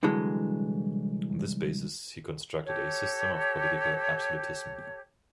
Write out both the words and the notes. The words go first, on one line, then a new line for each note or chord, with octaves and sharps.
On this basis, he constructed a system of political absolutism.
C2 D3 E3 F#3 G#3
G4 A4 C#5